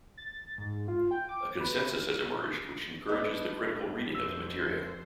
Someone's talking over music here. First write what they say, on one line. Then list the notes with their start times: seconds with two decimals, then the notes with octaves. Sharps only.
A consensus has emerged which encourages the critical reading of the material.
0.17 A6
0.58 G#2
0.88 F4
1.11 G5
1.29 D6
1.60 B4
3.09 G3 B3 D4 D#5
4.15 F2 C5 E6